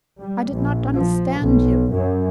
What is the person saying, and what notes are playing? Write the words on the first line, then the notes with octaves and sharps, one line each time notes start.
I did not understand you.
G3
A#1
F3
B1
F#2